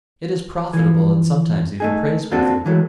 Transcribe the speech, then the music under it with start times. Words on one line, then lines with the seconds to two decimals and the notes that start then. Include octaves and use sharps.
It is profitable and sometimes even praiseworthy.
0.73 E3 F3
1.80 A3 D#4 G#4
2.31 A#3 C4 D4 F4 F#4 A4
2.66 E3 F#3 G#3 A3